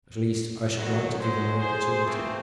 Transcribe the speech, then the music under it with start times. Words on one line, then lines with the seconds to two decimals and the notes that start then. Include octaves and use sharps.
At least, I should like to give him the opportunity.
0.76 G#2 B2 D#3 F#3
1.19 F#2 B2 F#3 G#3 C5
1.58 G#4 C5
2.06 E3 A3 A#3 C4